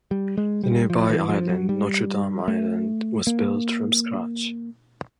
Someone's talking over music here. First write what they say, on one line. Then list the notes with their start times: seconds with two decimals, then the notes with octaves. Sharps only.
The nearby island, Notre Dame Island, was built from scratch.
0.11 G3
0.37 G#3
0.64 G3
0.90 F3
1.10 E3
1.29 F3
1.49 F#3
1.69 G3
2.48 A3
3.27 A#3